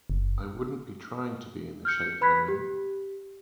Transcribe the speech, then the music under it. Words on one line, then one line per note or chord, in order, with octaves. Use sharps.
I wouldn't be trying to be in the shape that I'm in.
F#1
F6 G6 C#7
B4 B5 F#6 G#6 B6
G4